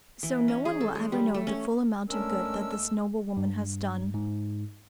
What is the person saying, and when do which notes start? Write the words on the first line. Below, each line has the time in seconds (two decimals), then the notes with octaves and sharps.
So, no one will ever know the full amount of good that this noble woman has done.
0.23 E3
0.48 C#4
0.65 G#4
0.80 A4
0.95 G#3
1.12 G3
1.34 A3
1.47 C#4
2.09 E2 G#3 A3 C#4 D4 A#4 E6
3.37 G2
4.14 G#2